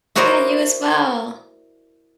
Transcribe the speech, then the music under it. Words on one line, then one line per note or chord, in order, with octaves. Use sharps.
Yeah, you as well.
E4 F#4 A#4 C5 D5 D#5